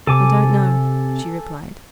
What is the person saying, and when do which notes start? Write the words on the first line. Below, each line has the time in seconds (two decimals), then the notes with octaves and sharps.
"I don't know," she replied.
0.07 C3 A4 G#5 D6